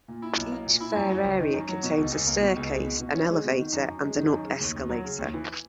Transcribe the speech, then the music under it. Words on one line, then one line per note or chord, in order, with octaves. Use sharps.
Each fare area contains a staircase, an elevator, and an up escalator.
A#2
E4
B1
A#3
A#2
E4
F#2
F#3
F#1
D#3
F#2
F#3
B2
C#2
C#2
A#3
B2
C#2
G#3
B2
B2
C#4
G#3
B2
D#3
F#2
F#2
G#3
D#3
F#2
C#3
D#2
D#2
F#3
C#3
D#2
E3